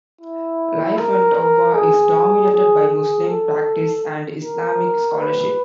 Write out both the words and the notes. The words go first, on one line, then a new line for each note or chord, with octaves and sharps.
Life in Touba is dominated by Muslim practice and Islamic scholarship.
E4
A#4
A#4
G#4
G#4
G#4
A4
A#4
B4